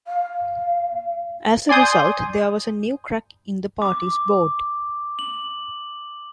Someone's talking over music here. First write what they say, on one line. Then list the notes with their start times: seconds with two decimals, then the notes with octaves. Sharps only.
As a result, there was a new crack in the party's board.
0.07 F5
1.69 D5 G#5 C6 D#6 G6
3.82 D6
5.19 F#7